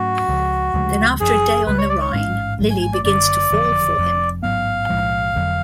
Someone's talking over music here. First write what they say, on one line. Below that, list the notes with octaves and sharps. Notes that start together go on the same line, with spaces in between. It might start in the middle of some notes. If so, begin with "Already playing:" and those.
Then after a day on the Rhine, Lili begins to fall for him.
Already playing: G#2 F#3 A3 C#4 F#4
C#2 C#3 F3
D2 C#3 F3 G#3
F#1 F#2 F3 G#4
C#2 C#3 G#3 B4
C#5
D5
C#5
A1 G#2 G#3 C#4 F5
A1 G#2 F#3 A3
G#5
G#5
D5
F#1 F#2 D3 D5
F#1 F2 D3 F3
F1 F2 F3
A1 G#2 F#3 B3 F5
B1 A2 F3 G#3
F1 F2 D3 F#3